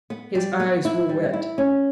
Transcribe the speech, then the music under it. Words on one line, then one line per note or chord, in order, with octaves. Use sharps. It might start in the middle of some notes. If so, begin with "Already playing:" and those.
His eyes were wet.
B3
G3
B3
E4
G3
E4
C#4